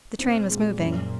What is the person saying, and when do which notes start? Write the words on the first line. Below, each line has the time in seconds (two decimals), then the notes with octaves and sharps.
The train was moving.
0.18 A#2 C4
0.49 G#3
0.80 F#2